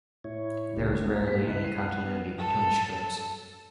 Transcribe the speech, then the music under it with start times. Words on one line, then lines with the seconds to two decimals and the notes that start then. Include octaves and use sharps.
There is rarely any continuity between strips.
0.24 A2 E4 C#5
0.76 G#1 C#2 D4 G4
1.05 A3
1.27 A#2 G3 B6
1.45 C#2 D#4 E4 F#6 B6
1.64 C7 D#7
1.78 F#5 F6 F#6
2.03 B3 B4
2.38 A4